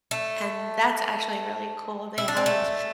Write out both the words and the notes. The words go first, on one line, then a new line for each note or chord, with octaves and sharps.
and that's actually really cool, they have
A3
E4
D4
C4
A3